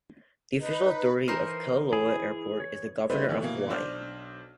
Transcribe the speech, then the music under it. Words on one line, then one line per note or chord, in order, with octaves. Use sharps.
The official authority of Kalaeloa Airport is the Governor of Hawaii.
D#4 B4
E3 D#4 A#4 C5
E4 G#4
C#5
G3 A3 C4 D#4 B4 C5
D#3 E3 A3
B2 E3 A#3
B1 D4 C5 F6